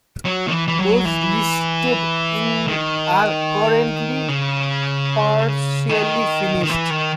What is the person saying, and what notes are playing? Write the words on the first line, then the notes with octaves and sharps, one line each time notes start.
Those listed in are currently partially finished.
F#3
D#3
E3
E3
F#3
E3
D#3
C#3
D#3
D#3
E3
D#3